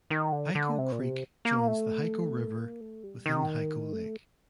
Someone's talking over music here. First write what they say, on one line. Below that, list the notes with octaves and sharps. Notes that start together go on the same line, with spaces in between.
Hyco Creek joins the Hyco River within Hyco Lake.
D#3
D3
D3
C3
A#2
C3
A#3
A3
A#3
A3
G3
D#3
A3